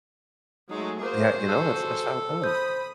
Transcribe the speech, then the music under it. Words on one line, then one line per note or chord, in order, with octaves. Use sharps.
Yeah, you know, that's that's how it goes.
F#3 G#3 A3 D#4
A#3 F#4 G#4 C5
A4
C5 B5 D#6 G6